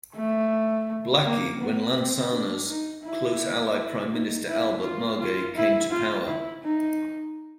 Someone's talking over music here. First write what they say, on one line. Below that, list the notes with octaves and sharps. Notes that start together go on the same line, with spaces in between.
Blackie when Lansana's close ally Prime Minister Albert Margai came to power.
A3
A#3
B3
C4
D4
D#4
E4
E4
D#4
E4
F4
F4
E4
F4
E4
D#4